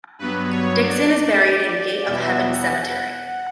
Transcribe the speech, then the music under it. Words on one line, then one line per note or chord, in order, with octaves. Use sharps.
Dixon is buried in Gate of Heaven Cemetery.
G2 F#3 B3 B4
C#5
D5
E2 B2 G3 B3 E5
F#5